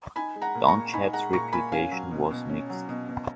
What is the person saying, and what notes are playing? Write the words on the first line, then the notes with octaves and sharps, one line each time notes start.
Donnchad's reputation was mixed.
D#4 G#5 B5
G#3
F#5 A#5
A#2
A#5 C#6
A#2
D#4 G#5 B5
G#3 F#5 A#5
A#2 A#5 C#6
A#2 G#5 B5
C#4 F5 G#5
F#3
B2
B2
C#4
F#3
B2
B2